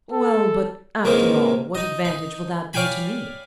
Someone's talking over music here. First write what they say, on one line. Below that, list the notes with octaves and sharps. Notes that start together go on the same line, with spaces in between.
"Well, but, after all, what advantage will that be to me?"
A4
C#2 G#2 C3 D#3 E3 A#3
D#4 D#5
D#4
C#5 D5 F5 G5 G#5 B5